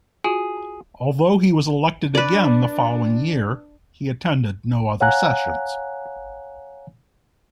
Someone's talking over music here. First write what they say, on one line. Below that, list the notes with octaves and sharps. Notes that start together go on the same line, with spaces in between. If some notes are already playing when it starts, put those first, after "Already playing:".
Although he was elected again the following year, he attended no other sessions.
F4 F#4 G#4
D4 B4 D5
C#5 F5 F#5 G#5 A#5 F#6